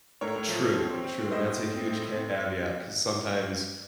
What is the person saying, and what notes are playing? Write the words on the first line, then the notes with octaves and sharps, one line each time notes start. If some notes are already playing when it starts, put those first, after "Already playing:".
True, true, and that's a huge caveat 'cause sometimes
A2 A#4 C#5
A2
F3
F3
C4
C4
C4
A2
A2 C5 D#5
A2
A2
C4
A2
A2
C4